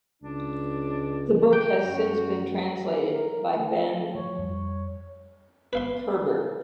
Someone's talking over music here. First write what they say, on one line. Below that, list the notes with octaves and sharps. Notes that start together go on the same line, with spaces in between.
The book since been translated by Ben Koerber.
C#2 D4
G5
F#2 F#4
A#4
A3
F3 C#5
F2 G3
B4 F5 C6